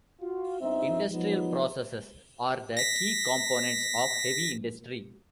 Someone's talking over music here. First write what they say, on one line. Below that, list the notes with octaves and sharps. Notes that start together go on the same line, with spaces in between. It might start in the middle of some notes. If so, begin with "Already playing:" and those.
Industrial processes are the key components of heavy industry.
F4 F#4
G1 C4 D#4 E5
F3 F#3 B3 D#4
A#6 B6